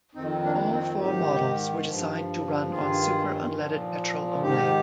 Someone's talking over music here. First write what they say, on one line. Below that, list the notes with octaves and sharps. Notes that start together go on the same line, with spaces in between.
All four models were designed to run on super unleaded petrol only.
F2 D#3 C4 D#4
A#3 D4
C4 D#4
G#2 D#3 D#4 G4
G2 F3
G2 D#3 F4 G#4
A#2 F3
G#2 D#3 D#4 G4